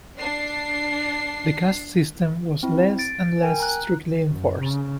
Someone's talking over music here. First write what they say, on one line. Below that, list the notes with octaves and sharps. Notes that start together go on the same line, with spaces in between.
The caste system was less and less strictly enforced.
D4 C7
C4 E4
A6 D7
A#4 G5 G#5
A#5 F#6
F#2
C#3